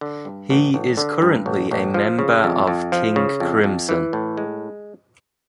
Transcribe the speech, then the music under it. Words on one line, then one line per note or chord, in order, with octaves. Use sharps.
He is currently a member of King Crimson.
D3
G2
A1
A1
D3
G2
A1
A1
F3
C#3
F2
F2
F3
C#3
F2
F2
E3
A2
G#3